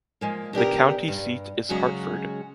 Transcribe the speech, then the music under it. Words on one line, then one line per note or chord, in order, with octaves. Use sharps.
The county seat is Hartford.
F3 G#3 A#3
B2 D4 G4 A#4
G2
C#3 F#3 G#3 C#4 F#4